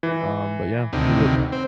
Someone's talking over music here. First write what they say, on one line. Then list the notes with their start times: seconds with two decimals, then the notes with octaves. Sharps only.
um, but yeah, Europe,
0.03 E3
0.93 D2 C3 D#3
1.52 C4